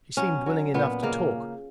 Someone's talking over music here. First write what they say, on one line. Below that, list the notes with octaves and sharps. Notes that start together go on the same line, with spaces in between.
She seemed willing enough to talk.
F#3 C#4
F#3
A#2 B3
C#3 A#3